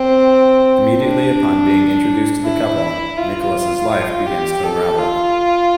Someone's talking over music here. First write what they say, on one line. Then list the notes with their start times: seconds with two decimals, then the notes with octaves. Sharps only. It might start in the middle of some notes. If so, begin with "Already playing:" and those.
Immediately upon being introduced to the couple, Nicholas' life begins to unravel.
Already playing: C4
0.99 D4
2.44 E4
3.17 F4
3.90 F4
4.26 G4
4.63 A4
4.98 F4